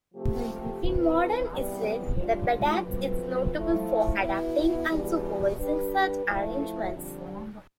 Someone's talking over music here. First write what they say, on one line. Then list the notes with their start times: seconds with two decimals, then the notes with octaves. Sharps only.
In modern Israel, the "badatz" is notable for adapting and supervising such arrangements.
0.13 C3 F3 A3 C4 G4
0.81 F3 C4 E4 B4
1.49 E2 C3 E3 G3 B3
2.17 A2 E3 G3 D4 F4
2.85 B2 A3 C4 F4 B4
3.52 F3 A3 E4
4.20 B2 B3 E4
4.88 E2 B2 G3
5.57 G3 D4 G4 B4
6.24 F3 A3 E4
6.92 F2 D3 G3